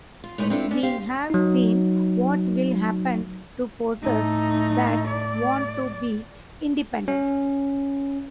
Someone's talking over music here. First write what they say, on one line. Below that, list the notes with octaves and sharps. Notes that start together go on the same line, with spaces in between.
We have seen what will happen to forces that want to be independent.
F4
A2 G#3 D#4 G4 B4 C#5
C4 D4 E4 F4 A4 B4
B3 C#4 D4
G4 C5 F5
F#3 D#4
A2 A3 D#4
D5
C#4